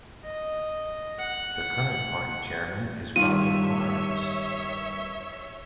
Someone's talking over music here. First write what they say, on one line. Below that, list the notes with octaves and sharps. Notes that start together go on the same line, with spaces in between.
The current party chairman is Robert Harms.
D#5
F#5
G2 D#3 G3 F4 C#5 E5 D#7